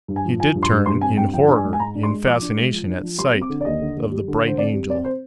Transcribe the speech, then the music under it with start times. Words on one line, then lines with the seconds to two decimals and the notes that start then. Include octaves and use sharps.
He did turn, in horror, in fascination at sight of the Bright Angel.
0.08 G2
0.16 G#5
0.25 F3
0.40 F3 G#5
0.55 G2
0.63 C6
0.71 G2
0.86 G2 C6
1.01 C4 G#5
1.17 G2 G5
1.33 F3 G5
1.48 D4
1.56 G#5
1.65 G#2
1.73 G#5
1.80 G#2 A#5
1.95 D4
2.03 C6
2.11 G#3
2.25 F3 D6
2.42 D4
2.57 G#3
2.73 F3
2.87 D4
3.03 F3
3.18 G3 C6
3.34 C4
3.42 D6
3.50 D3
3.61 D5
3.65 D#2 D#5
3.81 D3
3.96 D#2
4.11 G3
4.28 D3
4.42 D3
4.47 C5
4.58 C4 D5
4.73 G3
4.89 C4 D5
5.05 C5